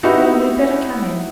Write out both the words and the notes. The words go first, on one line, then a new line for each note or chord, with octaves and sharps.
Well, we'd better come in.
D#4 E4 F#4 G4 B4